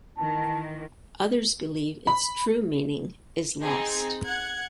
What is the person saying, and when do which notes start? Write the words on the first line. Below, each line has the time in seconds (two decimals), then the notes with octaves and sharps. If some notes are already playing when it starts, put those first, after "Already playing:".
Others believe its true meaning is lost.
0.18 D#3 E3 A5
2.07 B5
3.63 C4 D#4 G#4
4.26 F#5 F#6 G#6